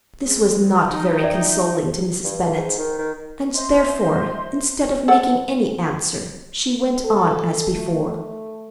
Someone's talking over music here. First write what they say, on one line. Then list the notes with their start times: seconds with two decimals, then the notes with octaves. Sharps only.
This was not very consoling to Mrs. Bennet, and therefore, instead of making any answer, she went on as before.
0.25 G#3 C4
0.84 D#4 G5
1.23 D5 E5
2.24 G2
2.41 E3
2.57 G#2
2.78 D#3
2.98 D#3
3.54 C5 D#5 E5 C6
5.08 A4 F#5
7.05 A4
7.73 A3
8.09 A3